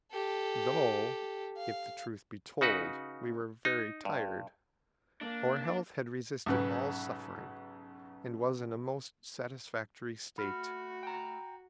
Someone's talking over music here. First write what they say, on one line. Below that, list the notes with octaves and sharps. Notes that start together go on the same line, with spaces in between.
Though, if the truth be told, we were very tired, our health had resisted all suffering, and was in a most satisfactory state.
G4 A4
F5
C#3 D#4 F#4 B4
D#4
G2
A#3 D4
B1 G#2 C#3 D#4 B4
A3 F#4 B5 F6
G5 A#5